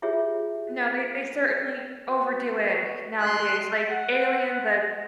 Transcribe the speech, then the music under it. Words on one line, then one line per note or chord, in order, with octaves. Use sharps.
No, they they certainly overdo it nowadays, like Alien, the
E4 F4 G4 G#4 C#5 E5
B3 F#4
A3 C6 F#6
F#5